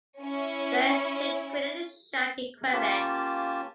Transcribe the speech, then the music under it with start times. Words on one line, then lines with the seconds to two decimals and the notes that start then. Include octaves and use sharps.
The exchange created a shock in Quebec.
0.20 C#4 E4
2.73 A#3 C#4 F4 G4 A5